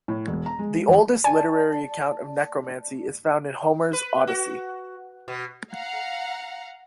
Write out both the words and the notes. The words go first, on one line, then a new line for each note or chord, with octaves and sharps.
The oldest literary account of necromancy is found in Homer's "Odyssey".
A2
E1
A#5
G#3
E2
D5 G#5 A5
B4
F#4
B2
F5 F#5 A#5